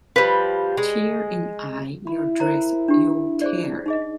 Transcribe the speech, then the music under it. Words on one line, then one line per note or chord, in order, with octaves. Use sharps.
Tear in eye your dress you'll tear.
F3 G3 B4
G#3
E4 B5
A#4 C5 A#5
D4 G4
G#4 C5 D5
D#4 G#4 D#5